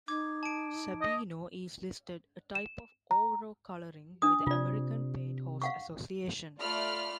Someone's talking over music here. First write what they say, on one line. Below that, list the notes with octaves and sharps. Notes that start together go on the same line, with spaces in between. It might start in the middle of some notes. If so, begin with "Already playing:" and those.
"Sabino" is listed a type of overo coloring by the American Paint Horse Association.
D#4 D6 G#6
A5 D7
D#5
E7
A#5
D4 D#6
C3 F4 D5
F5 F#5 C#6
A3 F4 D5 B5 F6